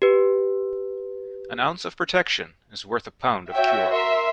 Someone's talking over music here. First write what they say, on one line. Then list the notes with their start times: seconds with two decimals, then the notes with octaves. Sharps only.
An ounce of protection is worth a pound of cure.
0.02 G4 B4
3.54 F#4 C#5 E5 G5
3.92 A#4 E5 C6